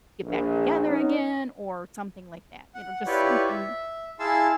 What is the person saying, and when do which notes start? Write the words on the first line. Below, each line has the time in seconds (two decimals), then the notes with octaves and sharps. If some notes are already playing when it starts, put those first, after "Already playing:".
get back together again or something like that, you know, just something
0.24 A#1
0.83 B3 C#4 D#4
2.75 F#5
3.06 E4 F4 G4 B4 C#5 D5
3.46 E5
4.19 E4 G#4 F5 A5 C6 E6